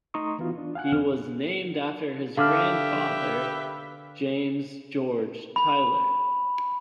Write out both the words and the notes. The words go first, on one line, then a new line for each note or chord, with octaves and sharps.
He was named after his grandfather, James George Tyler.
A3 D#4 A#5 C6 C#6 D#6
E3 B3 F4 F#4
D4 F4
F5 F#5 G#5 F#6
C2 F2 D#3 C4 F6
D3 G4 B4 E5 F5 D6 F6
B5